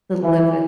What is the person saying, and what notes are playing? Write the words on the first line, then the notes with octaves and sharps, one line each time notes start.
to live with
E3